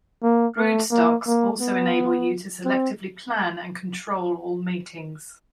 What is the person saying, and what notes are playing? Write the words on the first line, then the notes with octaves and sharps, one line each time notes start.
Broodstocks also enable you to selectively plan and control all matings.
A#3
A3
A#3
A#3
B3
C4